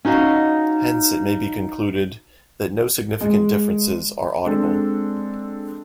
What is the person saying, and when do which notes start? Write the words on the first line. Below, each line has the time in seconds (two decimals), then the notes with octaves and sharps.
Hence it may be concluded that no significant differences are audible.
0.05 C#4 D#4 F#4 D#5 F5
3.21 G#3
4.46 G#3 C4 D4 A4